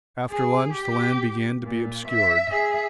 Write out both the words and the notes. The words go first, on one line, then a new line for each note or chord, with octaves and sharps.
After lunch the land began to be obscured.
G#4
G4
A#2
E5
G#4 E5